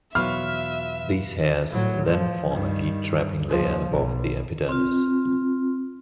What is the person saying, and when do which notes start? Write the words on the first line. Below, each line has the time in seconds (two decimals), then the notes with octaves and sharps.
These hairs then form a heat-trapping layer above the epidermis.
0.15 E2 B2 F#3 F4 B4 C#5 E5 F6
1.69 A2 F#3
2.06 F3
2.49 G2 D#3
3.49 D#2 F3
3.89 B1
4.69 C4 F4